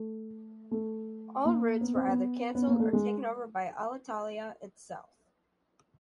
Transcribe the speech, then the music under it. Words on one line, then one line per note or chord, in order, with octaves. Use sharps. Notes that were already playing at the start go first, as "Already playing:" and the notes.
All routes were either cancelled or taken over by Alitalia itself.
Already playing: A3
A3
A#3
B3
C4
B3
B3
A#3
A3
G#3